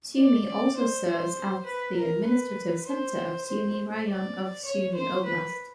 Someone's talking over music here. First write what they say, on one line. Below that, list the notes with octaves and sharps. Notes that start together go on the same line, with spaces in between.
Sumy also serves as the administrative center of Sumy Raion of Sumy oblast.
D5
D5
C5
C5
B4
A#4
B4
C5
C5
D5
C#5
C5
B4